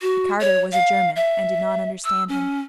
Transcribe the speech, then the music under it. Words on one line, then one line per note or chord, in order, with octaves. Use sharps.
The carter was a German and did not understand him.
F#4
C#5
F5
E5
E6
C#4